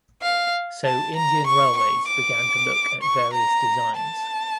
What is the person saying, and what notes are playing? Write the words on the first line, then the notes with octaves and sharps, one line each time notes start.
So Indian Railways began to look at various designs.
F5
A5
A#5
C#6
C#6
D6
C#6
A#5
A5